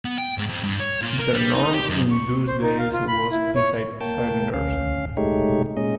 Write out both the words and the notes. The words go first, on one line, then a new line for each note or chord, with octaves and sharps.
The norm in those days was inside cylinders.
B3
G5
G#2
F2
G2
C#5
A#2
A#4
G3
D#4
G4
F#2
C#6
C5
D#4
F5
F4
B5
E4
C#5
A#3 G5 A5
D2 C#4 F5
G#3 A3 D#4 G4 C#5
A#2 G#3 C#4 D#5